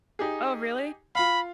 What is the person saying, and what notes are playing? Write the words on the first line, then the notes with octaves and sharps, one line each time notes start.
Oh, really?
D#4 G4 G#4
F4 F5 B5